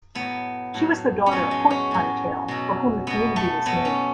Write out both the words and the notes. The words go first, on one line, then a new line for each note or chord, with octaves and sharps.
She was the daughter of Porcupine Tail, for whom the community was named.
A2 F#3 B3
A2 F#3
C#4
A2 F#3 B3
G#3
C#4
A2 F#3
B2 F#3
B2 F#3 B3
A3
B2 F#3 B3
C#4